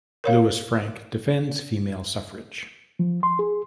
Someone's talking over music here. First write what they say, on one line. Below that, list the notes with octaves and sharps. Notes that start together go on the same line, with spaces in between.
Louis Frank defends female suffrage.
A#4 C#5 F5
F3
C6
G#4